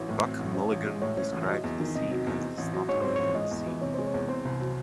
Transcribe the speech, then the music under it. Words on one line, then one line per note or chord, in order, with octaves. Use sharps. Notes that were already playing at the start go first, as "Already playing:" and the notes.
Buck Mulligan described the sea as The snotgreen sea.
Already playing: A1 E3 C4 C#5
A2
C4
A1
C#4
A1
G#3
A2 C#5
C#4
A1
F#3 D#5
E2
D#3
C3 D#5
F#3
E2
C4
A1
F#3
G#2 C#5
C4 C5
A1 C#5
G#3 D#5
E2
E3
C3 C#5
G#3 C5
C#5
E2
C4 C5
C2
F#3